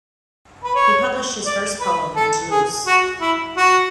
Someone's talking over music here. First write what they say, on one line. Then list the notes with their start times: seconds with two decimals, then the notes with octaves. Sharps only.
He published his first poem in Toulouse.
0.64 B4
0.75 C#5
1.46 D5
1.80 B4
2.16 A4
2.51 G#4
2.86 F#4
3.21 E4
3.57 F#4